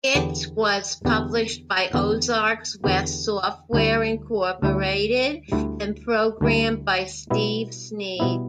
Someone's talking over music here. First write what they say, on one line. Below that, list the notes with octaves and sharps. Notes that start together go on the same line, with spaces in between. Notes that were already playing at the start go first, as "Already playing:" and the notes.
It was published by Ozarks West Software Incorporated and programmed by Steve Sneed.
E2 D3 B3 G4
E2 D3 B3 G4
E2 D3 B3 G4
E2 D3 B3 G4
D2 D3 G3 E4
D2 D3 G3 E4
D2 D3 G3 E4
D2 D3 G3 E4
B2 G3 B3 E4
B2 G3 B3 E4